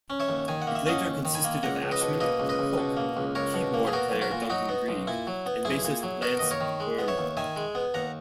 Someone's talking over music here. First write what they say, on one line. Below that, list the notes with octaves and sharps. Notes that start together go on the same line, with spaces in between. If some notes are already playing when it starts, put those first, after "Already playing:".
It later consisted of Ashman, Cook, keyboard player Duncan Grieg, and bassist Lance Burman.
C#4
C#5 E5
D#2
D#3 G#5
F#5
A#3
E5
C#4 D#5 F#5
D#2
D#3
G#5 B5
A#3
C#2 F#5 A#5
C#2
B4 D#5
B2
A#3 B4 D#5
C#2
B4 D#5
C#2
B2
A#3
C#2
C#2 A#4 C#5
B2
A#3
G#4
B3 F#4 A#4
B1
F#4 A#4
A#2
F#3 D#4 F#4
B3
B1
A#2 E4
F#3
B3
B1 E4 G#4
A#2
F#3
B3 F#4 A#4
D#2 D#5
A#4 C#5
D#3
G#3
B3
C#5 E5
D#2
D#3 E5 G#5
G#3
B3
D#2 F#5 A#5